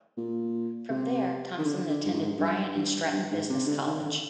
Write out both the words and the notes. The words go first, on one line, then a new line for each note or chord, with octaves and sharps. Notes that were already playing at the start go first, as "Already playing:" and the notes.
From there Thompson attended Bryant and Stratton Business College.
A#2
C3
D#3
D3
D3
G2
G#2
G2
G2
G2
G#2
C3
D3
D#3
D3